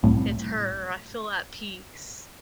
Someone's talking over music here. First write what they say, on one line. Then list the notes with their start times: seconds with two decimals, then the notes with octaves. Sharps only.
it's her. I feel at peace."
0.03 C2 A2